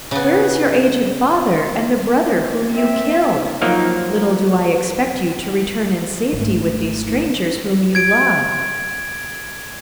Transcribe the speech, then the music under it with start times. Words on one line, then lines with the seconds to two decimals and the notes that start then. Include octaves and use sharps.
Where is your aged father, and the brother whom you killed? Little do I expect you to return in safety with these strangers whom you love.
0.11 C#3 B3
2.73 C4 E5
3.62 F3 F#3 A#3 D#4 A#4
6.33 G#1 D2 A3
7.95 G#6 D7